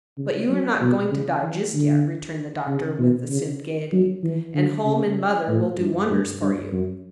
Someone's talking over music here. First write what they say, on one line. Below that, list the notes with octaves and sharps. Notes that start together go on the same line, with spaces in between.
"But you are not going to die just yet," returned the doctor, with assumed gayety; "and home and mother will do wonders for you."
C#3
F#3
B2
C#3
E3
D3
C#3
B2
C#3
F#3
E3
D3
C#3
A2
G2
G2
G2
F#2